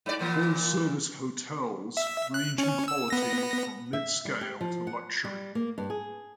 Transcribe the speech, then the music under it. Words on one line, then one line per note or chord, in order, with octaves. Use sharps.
Full-service hotels range in quality from mid-scale to luxury.
G#2 D5
A#2 E3 A#3
E5
F#6
C#4
E6
B3 A#6
E5
G3
G4
F3
F#5
G3
A#3
G2
G#4